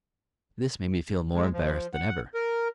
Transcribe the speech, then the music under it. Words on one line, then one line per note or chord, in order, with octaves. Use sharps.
This made me feel more embarrassed than ever.
G#3
F3
F#5
A#4